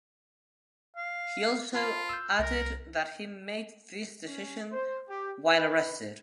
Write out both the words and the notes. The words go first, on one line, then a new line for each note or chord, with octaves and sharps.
He also added that he made this decision while arrested.
F5
F4 C5 A5 B5
E6 F6 G6
C2 A#4
C#4
C5
G4
B4